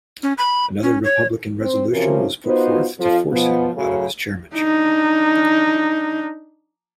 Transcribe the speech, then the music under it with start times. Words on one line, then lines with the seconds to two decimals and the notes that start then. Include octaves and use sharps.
Another Republican resolution was put forth to force him out of his chairmanship.
0.23 C#4
0.38 B5
0.83 C#4
1.04 C#5
1.61 C4 C5
1.91 C3 E3 F3 C#4 F#4 A#4
2.46 B3 D#4 F4 F#4 C5
2.98 F2 F3
3.31 B2 F3 B3
3.75 F#2 A2 C#3 F#3
4.55 D4 D#4